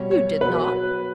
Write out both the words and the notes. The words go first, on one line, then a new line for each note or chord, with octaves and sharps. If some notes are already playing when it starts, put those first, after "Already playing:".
"You did not."
Already playing: B2 G3 C#5
C#5
B2 F#3 B4